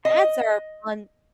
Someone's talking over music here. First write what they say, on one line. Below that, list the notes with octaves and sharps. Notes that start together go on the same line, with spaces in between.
ads are on
D#5